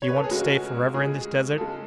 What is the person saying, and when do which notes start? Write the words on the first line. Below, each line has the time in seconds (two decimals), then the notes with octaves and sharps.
"Do you want to stay forever in this desert?"
0.02 C#5
0.09 B4
0.16 A4
0.24 G#4
0.31 C#3 G#3 F#4
0.94 C#3 G#3 G#4
1.58 C#3 G#3 A4